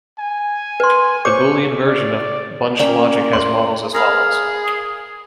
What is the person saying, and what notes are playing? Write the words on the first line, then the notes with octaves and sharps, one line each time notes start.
The boolean version of bunched logic has models as follows.
G#5
B4 C6
C5 C#5 C#6 D6
D5
A#3 C#4 D5 G5
C6 F#7
G#4 A#4 F5 B5